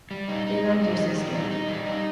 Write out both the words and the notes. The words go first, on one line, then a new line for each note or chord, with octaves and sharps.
They liked your sister.
G3
D#4
D#4
G3
D#4
D#3
G3
D#4
D#4
G3
D#4